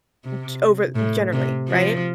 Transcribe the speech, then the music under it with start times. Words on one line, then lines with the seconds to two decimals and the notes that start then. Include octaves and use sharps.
g over generally right?
0.24 C3
0.95 A2
1.33 C3
1.68 F3